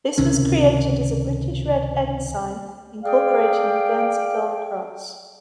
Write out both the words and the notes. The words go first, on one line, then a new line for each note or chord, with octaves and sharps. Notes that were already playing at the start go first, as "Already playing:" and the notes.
This was created as a British red ensign incorporating the Guernsey gold cross.
C#2 C3 D#3 C#4
G#4 D5 F5 G5